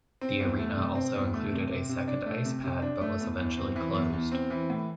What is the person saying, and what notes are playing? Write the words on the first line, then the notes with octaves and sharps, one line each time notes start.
The arena also included a second ice pad but was eventually closed.
C4
E2
A3
C3
C4
E2
A3
C3
C3
C3
D4
A3
C3
C3
D4
A3
E2
E2
C4
E3
E2
E2
C4
E3
A2